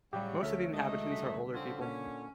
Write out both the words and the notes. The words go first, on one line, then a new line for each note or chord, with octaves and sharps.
Most of the inhabitants are older people.
A2 C#3 F#3 G3 G4
D2 A4 C#5 E5 F6 B6
F#3 G#3 A3 D#4 A4 D#5
C#3 G3 B6
D3 F3 C4 C#4
A#2 C#4